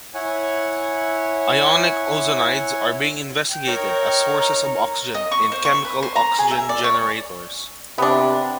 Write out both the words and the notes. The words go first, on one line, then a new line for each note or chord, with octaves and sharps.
Ionic ozonides are being investigated as sources of oxygen in chemical oxygen generators.
E4 C#5 F#5 G#5
G5
D#4 A#4 C#5
A#5
D#5
C#6
C5
C#6
B4
C5
A#5
G#4
E5
D5
C#5
C3 B3 D4